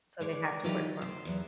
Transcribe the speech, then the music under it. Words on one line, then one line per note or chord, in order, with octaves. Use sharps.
So, they have to work from
G#3 C#5 D5
D#3 E3 F#3 G#3 F4 G4
C5
E2 F#3